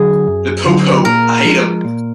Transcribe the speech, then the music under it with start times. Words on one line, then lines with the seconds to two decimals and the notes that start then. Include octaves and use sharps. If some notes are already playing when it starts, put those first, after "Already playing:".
The 'Po-Po,' I hate 'em.
Already playing: D3 F#3 G#4
0.28 F#2
0.66 D3 F#3
1.05 A#2 A#4
1.45 F3 G#3
1.84 A#2